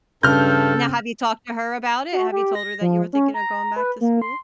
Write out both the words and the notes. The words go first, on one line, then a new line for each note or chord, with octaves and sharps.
Yeah now, have you talked to her about it? Have you told her that you were thinking of going back to school?
G2 C#3 A4 F6 G6
F#4
G4
A#6
F3
C#4
A#5
B4
A#3
C6